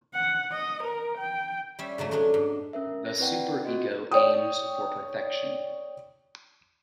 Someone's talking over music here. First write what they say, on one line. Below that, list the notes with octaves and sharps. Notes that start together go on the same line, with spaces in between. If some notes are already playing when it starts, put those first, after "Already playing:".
The super-ego aims for perfection.
F#5
D#5
A#4
G5
G3 C#4 E5
G#2 C#3 F#3 A3
F#3 G#3 C#4 D4
G#2
C#4 A#4 E5
A#6
C4 E4 B4 D5 F#5 G5
C4 F4 F#4 D#5
C#5 D5 G5 D#6